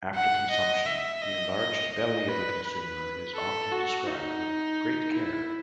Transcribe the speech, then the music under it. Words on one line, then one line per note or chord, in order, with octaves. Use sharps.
After consumption, the enlarged belly of the consumer is often described with great care.
F#5
D#5
E5
D#5
D#5
D#5
B4
B4
A4
F#4
D#4
E4